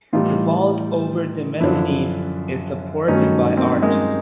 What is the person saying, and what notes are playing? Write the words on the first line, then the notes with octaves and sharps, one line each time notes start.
The vault over the middle nave is supported by arches.
A2 E3 G3 D#4 F4
F#2 D3 F3 D4 E4
G2 D#3 F#3 A3 C#4 D#4
A#3 C4
G#3 A#3